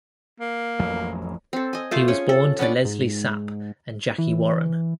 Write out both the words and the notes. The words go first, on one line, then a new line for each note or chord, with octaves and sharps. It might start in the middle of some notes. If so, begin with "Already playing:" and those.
He was born to Lesley Sapp and Jackie Warren.
A#3
A1 F2 F#3
C4 A4
D#5 G#5
A3 F4 C5 D6
C#4 G#4 C#5
A4
B3 C#4 D4 D5
G#2
E3